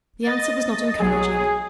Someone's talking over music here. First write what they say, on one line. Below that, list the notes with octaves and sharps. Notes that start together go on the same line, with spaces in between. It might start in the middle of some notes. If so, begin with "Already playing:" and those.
The answer was not encouraging.
D#5 A6
B1 F#3 G#4